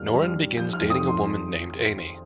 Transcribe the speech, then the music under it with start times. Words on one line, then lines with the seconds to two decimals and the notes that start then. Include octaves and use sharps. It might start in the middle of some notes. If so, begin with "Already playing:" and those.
Norrin begins dating a woman named Amy.
Already playing: F2 D#3 G3 F6
0.13 G3
0.24 F6
0.36 G3
0.57 F3 G6
0.73 F6
0.80 F2
0.90 D#6
1.01 F3
1.07 C6